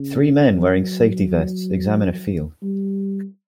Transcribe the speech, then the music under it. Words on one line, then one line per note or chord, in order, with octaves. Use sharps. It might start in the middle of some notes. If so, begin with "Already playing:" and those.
Three men wearing safety vests examine a field.
Already playing: C#3
F#3
G3